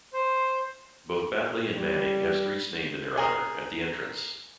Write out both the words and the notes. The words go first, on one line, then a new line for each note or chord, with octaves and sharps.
Both Battley and Manning have streets named in their honour at The Entrance.
C5
G3
G#4 A#4